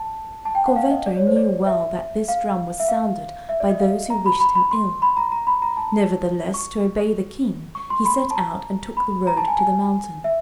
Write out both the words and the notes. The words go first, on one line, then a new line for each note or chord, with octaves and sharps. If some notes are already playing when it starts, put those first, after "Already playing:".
Corvetto knew well that this drum was sounded by those who wished him ill; nevertheless, to obey the King, he set out and took the road to the mountain.
Already playing: A5
A5
G5
F#5
F5
D#5
D5
C#5
C5
D5
E5
F5
E5
F5
E5
D5
D#5
F5
A#5
B5
B5
B5
C6
B5
A#5
A#5
B5
A#5
A5
C#6
C#6
C6
B5
A5
A#5
B5
A#5
A5
G#5
G#5
E5